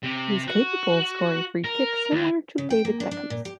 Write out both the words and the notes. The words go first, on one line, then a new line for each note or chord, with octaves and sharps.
He was capable of scoring free kicks similar to David Beckham's.
C3
F#4
A#4
D#2
C#3
G5
A#3
D4
D4
A#2
G4